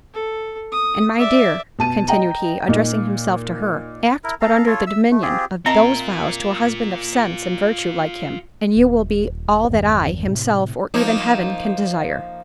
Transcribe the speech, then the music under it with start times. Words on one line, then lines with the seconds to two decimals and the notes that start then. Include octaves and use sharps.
And my dear," continued he, addressing himself to her, "act but under the dominion of those vows, to a husband of sense and virtue, like him, and you will be all that I, himself, or even Heaven can desire.
0.14 A4
0.72 D#6
1.19 D5 E5
1.79 B2 A5 D#7
2.08 D#5 G5 A#5
2.68 A#2 D#4
4.24 E4 A#4
4.41 A4 F5 A#5
4.67 F4 A4 C#5
4.87 E5 E6
5.11 A3
5.22 C4 F4 G4 G#4
5.66 C4 F4 A#4 D#5 E5 A5 A#5 C6
8.77 D#1
9.69 G1 E2 G2 D#3
10.26 A2 C3
10.94 F3 A#3 D#4